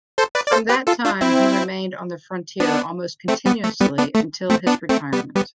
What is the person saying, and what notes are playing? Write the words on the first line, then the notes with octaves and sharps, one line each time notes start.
From that time he remained on the frontier almost continuously until his retirement.
A4 C5
B4 D5
D5
A4 C5
G4 B4
F4 A4
D4 F4
C4 E4
B3 D4
A3 C4
G3 B3
A3
G3 B3
B3 D4
A3
A3 C4
B3 D4
A3 C4
G3 B3
G3 B3